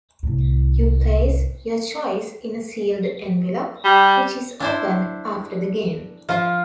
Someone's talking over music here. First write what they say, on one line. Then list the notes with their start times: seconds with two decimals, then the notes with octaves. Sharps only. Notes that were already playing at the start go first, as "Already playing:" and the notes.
You place your choice in a sealed envelope, which is opened after the game.
0.23 C2 A2
3.85 G3
4.60 D4 E4 C5
6.29 F3 F4 F5